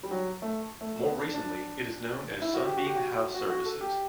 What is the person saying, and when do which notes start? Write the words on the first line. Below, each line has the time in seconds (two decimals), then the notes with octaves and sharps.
More recently it is known as Sunbeam House Services.
0.03 G3
0.11 F#3
0.42 A3
0.81 A3
1.03 B3
1.19 D4
1.34 D4
2.42 E4
2.54 F#4
2.65 G4
2.77 F#4
2.87 G4
2.95 F#4
3.34 F#4
3.50 F#4
3.65 A4
3.81 G4